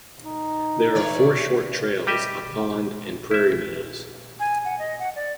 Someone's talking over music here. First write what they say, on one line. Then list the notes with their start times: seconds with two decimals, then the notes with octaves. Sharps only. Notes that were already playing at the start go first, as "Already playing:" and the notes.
There are four short trails, a pond, and prairie meadows.
0.23 D#4
0.95 E3 C#5 D5
2.07 G3 G4 D#5 E5
3.31 E4 E5
4.40 G#5
4.65 F#5
4.79 D#5
4.99 F#5
5.16 D5